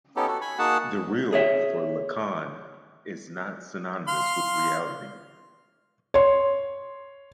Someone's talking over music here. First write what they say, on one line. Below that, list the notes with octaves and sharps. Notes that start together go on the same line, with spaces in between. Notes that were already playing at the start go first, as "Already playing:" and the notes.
The Real, for Lacan, is not synonymous with reality.
B3 C#4 D#4 G4 A4
F#4 A4
G#5 B5
A#3 D#4 F#4 G#4 F#5 A5
G#4 C#5 E5
F5 C6
C#5 C6